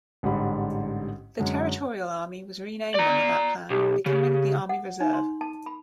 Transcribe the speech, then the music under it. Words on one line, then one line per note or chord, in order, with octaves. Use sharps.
The Territorial Army was renamed under that plan, becoming the Army Reserve.
A1 G#2 D3 G3 B5
F#2 D3 G#3
D5 A#5
B1 G4
C#3 G4
F#5
D#4
C6
A5
B5